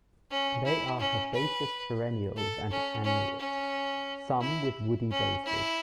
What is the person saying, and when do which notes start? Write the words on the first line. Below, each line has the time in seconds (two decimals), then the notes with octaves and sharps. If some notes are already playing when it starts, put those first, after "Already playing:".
They are herbaceous perennials and annuals, some with woody bases.
0.30 C#4
0.65 E4
0.99 C#4
1.33 B4
2.36 A4
2.71 C#4
3.04 C#4
3.39 C#4
4.41 E4
5.11 C#4
5.45 E4